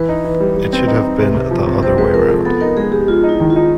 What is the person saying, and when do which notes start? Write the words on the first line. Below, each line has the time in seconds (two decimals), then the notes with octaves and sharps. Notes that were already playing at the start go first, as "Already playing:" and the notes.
It should have been the other way round.
Already playing: E3 B4
0.09 D#4
0.24 E3
0.40 G3
0.56 G3
0.73 C4
0.87 D#4
1.03 D#4
1.19 C3
1.35 C3
1.51 F3
1.66 C3
1.83 C4 C5
1.98 G#3 B4
2.14 F3 A#4
2.29 F3 A4
2.45 B3 A4
2.61 D#4 A#4
2.77 G#3 G#4
2.92 G#3 G4
3.08 G#3 F4
3.23 D#4
3.29 E4
3.40 D#3
3.50 F4
3.56 D#4